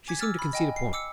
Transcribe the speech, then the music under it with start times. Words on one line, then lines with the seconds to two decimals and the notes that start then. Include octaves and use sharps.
She seemed to concede a point.
0.08 G#5 D6 G#6 B6
0.19 D6 E6 F6 G#6 A6
0.39 B5
0.53 D#5 G5 G#5
0.76 C7
0.93 D6 E6 C#7